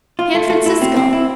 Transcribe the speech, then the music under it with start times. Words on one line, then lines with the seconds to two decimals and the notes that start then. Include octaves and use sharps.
San Francisco!
0.19 F4
0.35 A3
0.50 A3
0.66 E4
0.82 C4
0.96 C4
1.13 E4